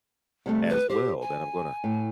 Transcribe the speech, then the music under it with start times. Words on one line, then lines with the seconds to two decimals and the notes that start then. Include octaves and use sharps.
as well that I’m gonna
0.46 C3 G3 A3
0.70 B4
0.90 G4 C5
1.22 G#5
1.84 A2